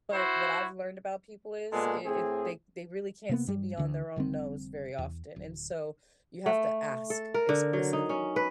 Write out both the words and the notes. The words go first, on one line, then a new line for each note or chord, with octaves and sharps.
but what I've learned about people is it it they they really can't see beyond their own nose very often, and so you have to ask explicitly.
E4 F#4 C5
A#2 G#3 B3 G#4 A4
A2 C4 G#4
C3 A#3 B3
G2 G3
D2 D3
F1 D3 G3 C4
E2
D1
A3
A4
A#4
D3
F#3
D#4
C#4
B4